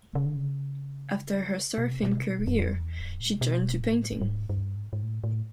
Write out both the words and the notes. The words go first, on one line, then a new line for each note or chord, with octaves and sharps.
After her surfing career, she turned to painting.
C#3
D3
C#3
B2
C3
B2
C3
B2
F#2
F2
E2
F2
A#2
C3
B2
A2
G#2
G2
G#2
G#2
A2
A2